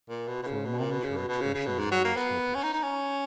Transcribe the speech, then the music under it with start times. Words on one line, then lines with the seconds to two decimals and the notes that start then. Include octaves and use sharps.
For a moment her expression was almost hopeless.
0.10 A#2
0.28 B2
0.43 B2
0.47 C#3
0.66 B2
0.78 A#2
0.91 B2
1.04 C#3
1.17 B2
1.29 B2
1.41 C#3
1.54 C#3
1.66 B2
1.79 G#2
1.92 F#3
2.05 A#3
2.16 B3
2.55 C#4
2.63 D#4
2.74 D#4
2.83 C#4